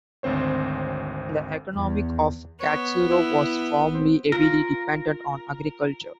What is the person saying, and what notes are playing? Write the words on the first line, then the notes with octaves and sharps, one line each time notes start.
The economy of Katsuro was formerly heavily dependent on agriculture.
G#1 D2 C4 C5 C#5
E2
B3 C#5
E4
C4
F4 A#4